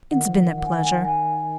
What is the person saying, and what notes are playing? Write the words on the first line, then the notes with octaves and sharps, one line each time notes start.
"It's been a pleasure."
D#3 F#5
F3
D#3
F#5
G#5
F#5
G#5
F#5
G#5